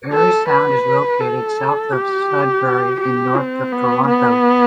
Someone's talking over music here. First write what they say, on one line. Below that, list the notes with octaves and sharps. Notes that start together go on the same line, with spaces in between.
Parry Sound is located south of Sudbury and north of Toronto.
A4
B4
A4
G4
G4
C4
B3
B3